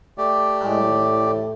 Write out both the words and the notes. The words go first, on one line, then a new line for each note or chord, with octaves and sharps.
Oh, yeah.
A3 G4 D5
A2